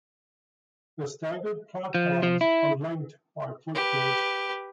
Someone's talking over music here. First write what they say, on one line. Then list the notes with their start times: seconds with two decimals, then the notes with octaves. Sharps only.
The staggered platforms are linked by footbridge.
1.95 F3
2.23 F3
2.41 E4
3.74 G4 B4